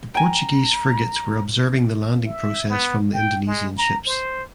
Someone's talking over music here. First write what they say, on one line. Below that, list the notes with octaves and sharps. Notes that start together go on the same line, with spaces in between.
The Portuguese frigates were observing the landing process from the Indonesian ships.
G5 G#5 A#5
E5
B3
G5
G#3
A#5
C5